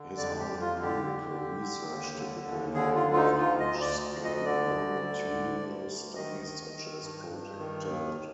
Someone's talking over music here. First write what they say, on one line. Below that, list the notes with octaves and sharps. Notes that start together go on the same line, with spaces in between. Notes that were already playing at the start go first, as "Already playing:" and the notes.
His own empirical research typically involved large-scale longitudinal studies such as Project Talent.
Already playing: D3
F2 D5
G4
F2
F4
D3
G4
D3
D3
D3
D#2
D3
D#2
D3 G#4
F4
D2
F4
D#4
D2
F4
D2 D#5
D5
D2
D2
D#5
D#5
D3 D5
D2
D3
D2
D2
D2
D#3 D#5
D#3
D#3
G2
G2
D#3
D#2